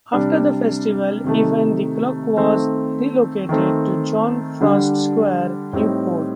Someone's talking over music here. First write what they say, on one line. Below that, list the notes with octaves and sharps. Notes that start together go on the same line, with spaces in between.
After the festival event the clock was relocated to John Frost Square, Newport.
C3 G3 D4
C3 D#3 A3
D#3 A3 C4
D#3 A3 C4
D3 G3 D4
A2 G3 C4 D#4